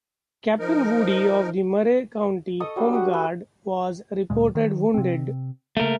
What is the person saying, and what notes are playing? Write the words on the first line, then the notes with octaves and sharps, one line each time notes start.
Captain Woody of the Murray County Home Guard was reported wounded.
F3 D#4 A#4
A4 D#5 C#6 D#6
F#3 G3 D4
F#4 G4 D#6
A3 B4 G#5
D2 A#2 G#3
D#3
C3 C4
C#3 A3 A#3 A#4